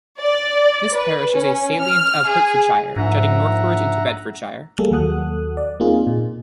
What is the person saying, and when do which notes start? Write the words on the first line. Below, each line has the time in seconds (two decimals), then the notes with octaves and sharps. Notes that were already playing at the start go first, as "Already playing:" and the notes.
This parish is a salient of Hertfordshire jutting northwards into Bedfordshire.
0.19 D5
0.94 B4
1.33 C#4
1.81 F6
2.27 G#4
2.96 A#1 G#2 E5 F#5 A#5
4.79 G3 A#3 G#4 A4
4.90 D#2 F#3 A4 F#5 D#6 F#6
5.57 D5
5.80 A#3 C4 D#4 F4 G#4
6.07 A#2